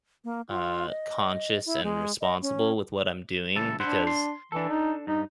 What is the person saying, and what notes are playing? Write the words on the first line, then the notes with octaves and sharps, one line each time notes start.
uh, conscious and responsible with what I'm doing because,
A#3
F4
D#5
E4
G#3
D#5
C#4
C#2 E3 A4
D4 E4 C5 F#5
C6
E3 D4 A4
D#4
G2 D#4